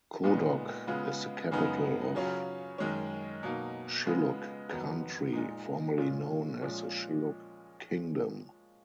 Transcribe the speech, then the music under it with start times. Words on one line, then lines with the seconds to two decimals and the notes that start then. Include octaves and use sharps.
Kodok is the capital of Shilluk country, formally known as the Shilluk Kingdom.
0.24 A#2 G#3 B3 D#4
0.87 C#3 G#3 B3 F4
1.51 F#2 C#3 G#3 B3 D#4
2.15 C#3 F#3 C#4 F4
2.78 F#2 D#3 G#3 C#4
3.43 B2 F#3 A#3 D#4
4.06 C#3 G#3 B3 F4
4.70 F2 D#3 F#3 B3 D#4
5.33 A#2 G#3 D#4
5.98 A#2 G#3 C#4 F4
6.61 A#2 F3 G#3 C#4 F4